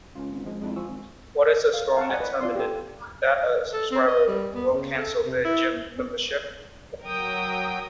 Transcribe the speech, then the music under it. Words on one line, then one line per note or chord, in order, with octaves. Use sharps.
What is a strong determinant that a subscriber will cancel their Gym membership?
C#2 C#4 F4
G#1
F3 G#3
F2 G#3 D4 E4
F3 G#5 C#6 E6
G#1
F5
F5 F#5 A5 C#6
D5 D#5 F#5 G#5
B4
F4 D5 C6
G4 A4
A4
C4
D#5
G3
B3
C#3
A4
C3
E4
F#3 A#4 G5 D#6